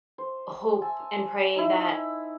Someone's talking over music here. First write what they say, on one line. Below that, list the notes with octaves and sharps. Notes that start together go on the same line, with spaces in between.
hope and pray that,
C5
G#5 A5 E6
D#4 E4